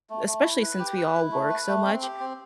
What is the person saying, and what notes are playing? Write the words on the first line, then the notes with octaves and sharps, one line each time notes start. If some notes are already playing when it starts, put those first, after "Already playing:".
especially since we all work so much,
A3
A3
E4
B4
G4
B4
E4
A3
B4
A3
C4
G4
C4